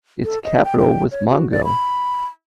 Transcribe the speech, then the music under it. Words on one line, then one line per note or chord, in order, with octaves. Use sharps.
Its capital was Mongo.
A4
D#5
G5
G5
C#5
F#4
D5
B5